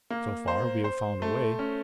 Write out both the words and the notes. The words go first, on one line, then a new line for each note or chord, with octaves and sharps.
So far we have found a way.
A#3
C5
C5
A3
C#4